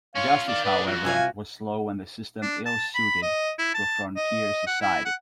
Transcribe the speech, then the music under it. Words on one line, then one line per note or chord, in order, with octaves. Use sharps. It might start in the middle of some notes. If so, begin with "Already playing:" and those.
Justice, however, was slow and the system ill-suited to a frontier society.
C#4 F4 C#5 F5
D#3 D5
D4 G#4 B4 D5
F2 F4 F#4
C3 F4 F5 G#5
D4
A5
B5
D#5
E4
A5
D#5
F#5
E4
F#5